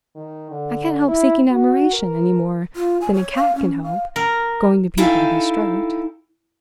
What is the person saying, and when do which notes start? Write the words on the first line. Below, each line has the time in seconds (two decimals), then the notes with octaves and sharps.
I can't help seeking admiration any more than a cat can help going to people to be stroked.
0.16 D#3
0.51 D3
1.08 E4
1.51 F#4
1.93 A#4
2.76 F4
3.01 G#5
3.13 C#5
3.35 F5
3.56 C#4
3.83 F5
4.16 A#4
4.98 D#4 E4 A4 F5 G5 G#5